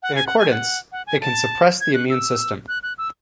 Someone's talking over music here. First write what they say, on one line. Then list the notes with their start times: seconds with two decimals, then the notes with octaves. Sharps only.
In accordance, it can suppress the immune system.
0.03 F#5
0.15 G#5
0.27 F#5
0.39 G#5
0.50 F#5
0.92 F#5
1.07 G#5
1.21 A5
1.81 G#6
1.94 F#6
2.10 E6
2.68 F#6
2.83 F#6
2.98 E6